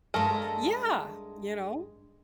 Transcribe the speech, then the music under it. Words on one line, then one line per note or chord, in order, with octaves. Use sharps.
Yeah, you know?
G2 G#3 A3 A4 A#4